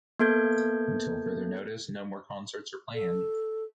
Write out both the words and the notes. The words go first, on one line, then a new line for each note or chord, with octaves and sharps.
Until further notice, no more concerts are planned.
A#3 B3 A4 G6 G#6
A4